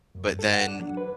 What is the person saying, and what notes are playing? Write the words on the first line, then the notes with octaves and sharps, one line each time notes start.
but then
F#2
G2
A4
F#5
D4
F#3
B4